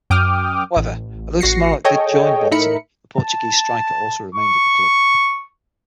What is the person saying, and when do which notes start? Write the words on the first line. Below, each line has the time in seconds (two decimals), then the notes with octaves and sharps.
However, although Smolarek did join Bolton, the Portuguese striker also remained at the club.
0.10 F#2 G5 D6 D#6 F6
0.76 A1
1.41 A1 F#4 A#6 C7 C#7
1.84 G#4 A4 C#5 D#5 G5
2.51 A2 D#4 A#4 E5 B5 C#7
3.17 A5
4.35 C#6